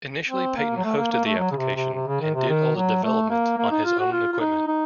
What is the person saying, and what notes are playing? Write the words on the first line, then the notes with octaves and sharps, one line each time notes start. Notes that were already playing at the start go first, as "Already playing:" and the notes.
Initially Peyton hosted the application and did all the development on his own equipment.
C4
A#3
F#3
A3
A#3
A#3
A3
F#3
C#3
C3
C3
C3
C#3
D#3
C3
D#3
F#3
A3
A#3
A#3
D#4
F4
F#4
F4
F4
D#4
D#4